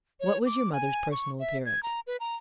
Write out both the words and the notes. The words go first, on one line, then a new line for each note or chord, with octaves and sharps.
"What was your mother's personal appearance?"
C#5
D6
G#5
C#6
E5
G#6
A#5
B4
A#5